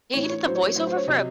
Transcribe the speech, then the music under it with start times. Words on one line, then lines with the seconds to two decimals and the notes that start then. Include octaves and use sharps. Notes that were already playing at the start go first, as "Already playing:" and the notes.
He he did the voiceover for a
0.14 A2 E3 C#5
0.29 C#5
0.45 A2 F#3 C5
0.55 C#5
0.66 C#5
0.76 A2 F#3 C5
0.87 C5
0.97 C#5
1.08 C3 F#3 D#5